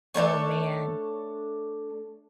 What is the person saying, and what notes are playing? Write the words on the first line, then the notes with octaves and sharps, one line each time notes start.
Oh, man.
A3 D4 A4 C#5